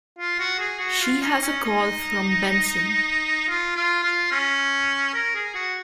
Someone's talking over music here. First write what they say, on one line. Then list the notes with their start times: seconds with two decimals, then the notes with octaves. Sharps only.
She has a call from Benson.
0.18 F4
0.40 F#4
0.59 G#4
0.80 F#4
1.01 F4
1.22 D#4
1.42 C#4
1.63 D#4
3.49 F4
3.76 F4
4.03 F4
4.32 C#4
5.14 A#4
5.35 G#4
5.55 F#4